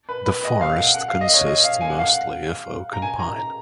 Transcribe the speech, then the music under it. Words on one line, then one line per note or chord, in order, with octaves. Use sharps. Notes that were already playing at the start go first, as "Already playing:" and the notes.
The forest consists mostly of oak and pine.
B4
B4
D#5
F5
F#5
F#5
F5
D#5
C#5
D#5
F5
G#5
F#5
F5
F#5
A#5
G#5
A#5
A#5